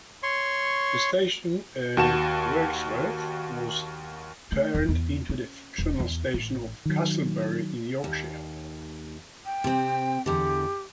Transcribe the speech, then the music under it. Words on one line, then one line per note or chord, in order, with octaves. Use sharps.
The station at Wirksworth was turned into the fictional station of 'Castlebury' in Yorkshire.
C#5 C6 C#6
D#2 F#4 A5 E7
A3
E1
E2
C#4
E1
E2
A1
D#3 F#3
D#2
G5
C3 C4
E2 D3 G4